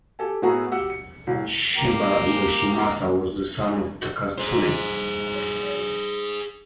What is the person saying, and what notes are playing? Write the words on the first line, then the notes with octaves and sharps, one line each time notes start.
Shiba Yoshimasa was the son of Takatsune.
G4 A4 G#5
A2 A3 B3 F#4 G#4 A#5
G4 F#5 E6 C#7
C#7
C2 A2
A#3 G4
G#4 C5